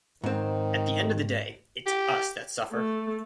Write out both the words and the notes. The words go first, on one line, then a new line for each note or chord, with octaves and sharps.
At the end of the day, it's us that suffer.
G#2 D#3 C4
G4
A3